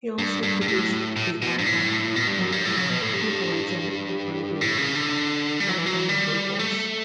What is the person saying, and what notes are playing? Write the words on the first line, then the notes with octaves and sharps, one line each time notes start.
He also produced the album and performed keyboards and provided background vocals.
G2
G2
G2
A2
A2
B2
G2
A2
B2
G2
F#2
G2
A2
C#3
B2
A2
G2
A2
C#3
D3
G3
F#3
E3
F#3
G3
A3